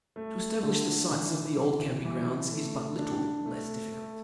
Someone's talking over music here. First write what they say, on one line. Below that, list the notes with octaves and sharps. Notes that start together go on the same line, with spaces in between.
To establish the sites of the old camping grounds is but little less difficult.
A3
D3
E3
E3
E3
A3
D4
A3
A3